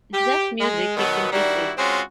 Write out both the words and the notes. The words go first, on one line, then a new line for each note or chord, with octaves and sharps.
"It's just music," he simply states.
G4
G#3
B2 D#3 F#3 B3
D#3 G3 D4 E4 F#4
G#3 C4 C#4 F4 F#4